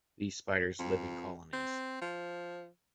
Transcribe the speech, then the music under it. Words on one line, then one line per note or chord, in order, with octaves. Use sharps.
These spiders live in colonies.
F2
C4
F3